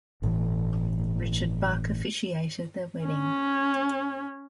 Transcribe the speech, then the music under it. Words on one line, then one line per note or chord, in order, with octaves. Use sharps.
Richard Buck officiated their wedding.
G1 A2 D3 E3
C#4